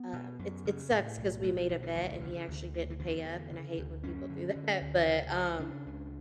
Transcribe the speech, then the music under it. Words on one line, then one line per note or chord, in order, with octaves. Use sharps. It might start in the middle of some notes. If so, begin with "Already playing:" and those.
um it it sucks 'cause we made a bet and he actually didn't pay up, and I hate when people do that but, um,
Already playing: B3
B2
F#2
C#3
A2
B1
B2 A3
F#3
B1 E3
D3
D2 E3
C#3
D2
D3
E3
E2 D3
D3
C#3
D2
F#2 C#4
D3
D3
D2
C#3
C#2
C#3 D4
C#2